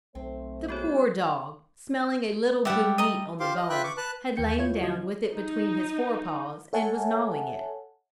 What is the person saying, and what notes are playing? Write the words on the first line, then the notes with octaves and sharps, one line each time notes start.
The poor dog, smelling a little good meat on the bone, had lain down with it between his fore paws and was gnawing it.
B1 A3 C4 C5
G3 G#3 A#3 B3 F#4 C#5
G3 G4 E5 F#5
D#5 A#5
F4 G4 C5 F5 C6 D6
D#5
F4 B4 E5 G5 B5 F#6
C#6 D6
B4 A5 F#6
D#2 E3 G5 G6 C#7
E4 F4 C#5 G#6
D3 F#3 D#5 G#6
D#4
A4 C#5 E5 F#5 G#5 A5